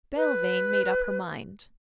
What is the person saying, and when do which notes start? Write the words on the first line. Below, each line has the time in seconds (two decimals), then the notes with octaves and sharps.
Belvane made up her mind.
0.16 B4